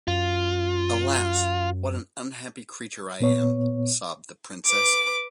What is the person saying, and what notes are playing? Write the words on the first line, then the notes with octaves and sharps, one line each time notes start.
"Alas, what an unhappy creature I am!" sobbed the princess.
F#2 F4
A#2 B3 C#5
B4 D6